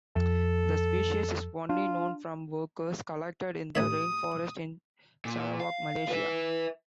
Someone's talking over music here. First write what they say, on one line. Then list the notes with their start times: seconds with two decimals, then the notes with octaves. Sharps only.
The species is only known from workers collected in the rainforest in Sarawak, Malaysia.
0.16 F2 A4
1.69 D4 F4
3.75 A1 C#5 E5 D#6
5.25 A#2
5.60 F5
6.09 B4 E5